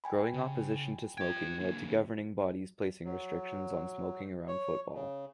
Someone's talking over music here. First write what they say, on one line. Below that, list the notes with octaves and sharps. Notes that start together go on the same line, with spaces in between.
Growing opposition to smoking led to governing bodies placing restrictions on smoking around football.
G5 G#5 B5
C#3
F4 G5 G#6
D3 A#3
F#3
C#5
C#3